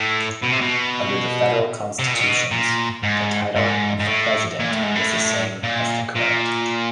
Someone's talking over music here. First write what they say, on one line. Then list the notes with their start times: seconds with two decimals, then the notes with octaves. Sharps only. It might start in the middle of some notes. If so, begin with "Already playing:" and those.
Under the federal constitutions, the title of President was the same as the current.
Already playing: A2
0.43 B2
0.52 C3
0.61 B2
1.99 C3
2.07 B2
2.14 A#2
2.21 B2
2.51 A#2
3.03 G#2
3.56 G#2
3.99 G#2
4.07 A2
4.59 A#2
4.71 A2
4.83 G#2
4.95 A2
5.63 A#2
6.15 A#2